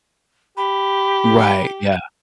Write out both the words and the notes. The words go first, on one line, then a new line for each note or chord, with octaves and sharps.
Right, yeah.
G4 B5